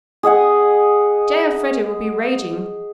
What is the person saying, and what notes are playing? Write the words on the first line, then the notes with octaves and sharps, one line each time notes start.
J. Elfreda will be raging.
G#4 D#5 F#5 G#5